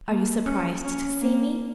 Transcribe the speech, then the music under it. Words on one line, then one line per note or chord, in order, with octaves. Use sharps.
"Are you surprised to see me?"
A#3
C#4
C#4
A#3